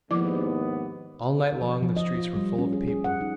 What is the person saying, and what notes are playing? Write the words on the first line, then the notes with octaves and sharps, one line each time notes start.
All night long the streets were full of people.
D#2 G#2 F3 B3 E4 D6
F3
F3
D#5
F4
G3
C#4
G#4
G#4
F#5
D#4